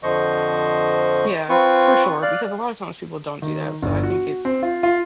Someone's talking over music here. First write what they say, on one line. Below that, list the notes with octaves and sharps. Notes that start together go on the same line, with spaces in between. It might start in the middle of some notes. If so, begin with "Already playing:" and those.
Yeah, for sure, because a lotta times people don't do that, so, I think it's
F2 D3 F3 C5 D#5 C#6
C4 F4 B4 C#6
D5 F5 F#6
D#3
G1
F#4
C4
F4
F4